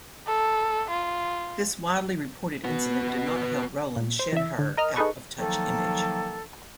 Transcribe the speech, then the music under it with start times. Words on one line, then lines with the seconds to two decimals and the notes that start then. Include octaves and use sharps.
This widely reported incident did not help Rowlands shed her 'out-of-touch' image.
0.27 A4
0.90 F4
2.64 B3 F#4
3.96 A#2
4.19 C5
4.32 E3 E5
4.58 D3
4.77 A#4 D#5 F6
4.96 D#4 G#4 A4 B4 C#6
5.38 D#3 F3 F#3 A#3 D#4 A4